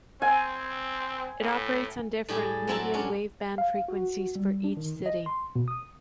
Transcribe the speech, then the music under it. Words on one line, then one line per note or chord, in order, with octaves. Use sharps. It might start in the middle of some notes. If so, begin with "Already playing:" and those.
It operates on different medium wave-band frequencies for each city.
C4 G#5
A2
A2 G3 G4 G#4
F#3 C4 E4 A4 A5
C#4 D4
F5
F#4
G3
D4
D#3
D#5
C6
B2
D#6